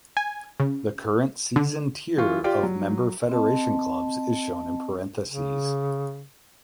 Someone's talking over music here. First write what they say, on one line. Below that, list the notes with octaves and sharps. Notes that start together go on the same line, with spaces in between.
The current season tier of member federation clubs is shown in parentheses.
G#5
C#3
D3
E3 F4 C#6
F4 G4 D5
F#3
C4 D#5 A5
C#3